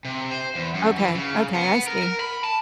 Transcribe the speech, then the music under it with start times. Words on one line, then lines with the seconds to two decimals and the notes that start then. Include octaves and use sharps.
Okay. Okay, I see.
0.05 C3
0.31 C5
0.55 E2
0.74 F#2
0.98 E3
1.15 C#3
1.54 B3
1.87 A#4
2.03 A#4
2.21 B5
2.44 A5